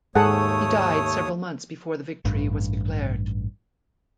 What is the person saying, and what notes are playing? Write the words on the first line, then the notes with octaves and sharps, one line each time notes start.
He died several months before the victory was declared.
D#2 G#2 A3 G#4 A4 C#5 F#5 D#6
A1 G2